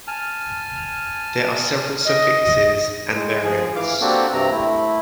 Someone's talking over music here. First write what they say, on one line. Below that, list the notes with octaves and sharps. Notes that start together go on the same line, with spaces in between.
There are several suffixes and variants.
G#5 A5 F6
D#5
G#3
F3 G#4
E3 F5 D6
A#3 C4 D4 F#4 G4 A4
G2 C3 C4 A#5
A3 E4